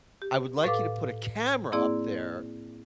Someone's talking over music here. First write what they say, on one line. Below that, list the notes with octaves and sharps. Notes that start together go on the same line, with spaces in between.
I would like you to put a camera up there,
G4
A2 A4 B4 F5 D6
A#3 C4 E4 G#4 D5